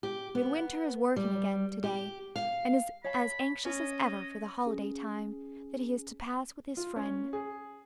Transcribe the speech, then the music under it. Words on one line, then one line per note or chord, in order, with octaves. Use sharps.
Midwinter is working again to-day, and is as anxious as ever for the holiday-time that he is to pass with his friend.
G4
B3
G3
G4
F5
C#5 F5 A5 B5
C#4 D#5
C#4 G#4
F4
C#4
G#4